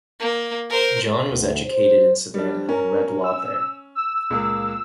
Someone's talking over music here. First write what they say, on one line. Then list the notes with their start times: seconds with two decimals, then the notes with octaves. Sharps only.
John was educated in Savannah and read law there.
0.20 A#3
0.70 A#4 C5
1.31 D2
1.66 C5
2.34 G3 D4
2.69 C#4 A#4
3.24 E6
3.95 E6
4.30 C#2 A#2 A#3